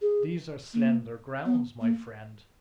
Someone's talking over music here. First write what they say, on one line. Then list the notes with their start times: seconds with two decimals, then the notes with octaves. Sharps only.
'These are slender grounds, my friend.'
0.02 G#4
0.74 A#3
1.46 B3
1.81 A#3